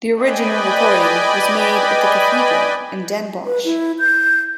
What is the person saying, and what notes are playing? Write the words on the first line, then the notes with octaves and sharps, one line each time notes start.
The original recording was made at the cathedral in Den Bosch.
B4 D5 D#5 G5 G#5 B5
B4
E4
G6